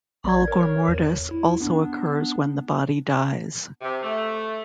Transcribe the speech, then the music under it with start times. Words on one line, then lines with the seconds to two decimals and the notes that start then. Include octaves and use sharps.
Algor mortis also occurs when the body dies.
0.24 A#1 D5 G#6
0.48 A#4 C#5
0.88 E2
1.31 E4
1.60 B3 D4
3.82 C3
4.03 A3